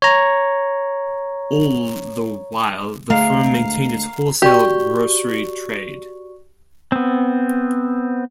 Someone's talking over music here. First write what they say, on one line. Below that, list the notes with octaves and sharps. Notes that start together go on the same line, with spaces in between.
All the while the firm maintained its wholesale grocery trade.
C#5 A#5
D2 G#3 A3 F5 A#5 C7 F7
F#4 G4 D5 C#6
B3 C4